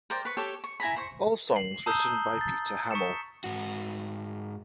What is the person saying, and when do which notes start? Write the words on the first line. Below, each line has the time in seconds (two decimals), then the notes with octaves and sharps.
All songs written by Peter Hammill.
0.10 A#4 C5 D5 G5
0.25 B4 C#6
0.37 G4 A4 C#5
0.64 C#6
0.80 E4 G#5 A#5 B5
0.96 C5 C#6
1.56 C7 F#7
1.86 A5 A#5 D#6 E6 G6 G7
2.41 A6
2.91 C#6 B6 C#7 E7
3.44 G#2 F#4